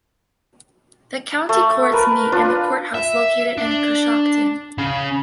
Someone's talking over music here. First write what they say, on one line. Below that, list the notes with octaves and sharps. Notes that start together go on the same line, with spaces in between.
The county courts meet in the courthouse located in Coshocton.
A3
A#4 B4
D4 F4 B4
E5
D4
C#3